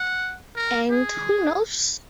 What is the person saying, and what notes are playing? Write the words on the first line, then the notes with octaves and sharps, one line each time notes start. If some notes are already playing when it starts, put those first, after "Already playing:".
And who knows...?
Already playing: F#5
A#4
G#4